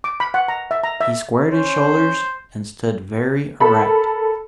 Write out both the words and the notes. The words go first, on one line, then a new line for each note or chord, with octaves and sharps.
He squared his shoulders and stood very erect.
D6
B5
F#5
A#5
E5
A#5
E5
C#4 C5
A4 A#4 B5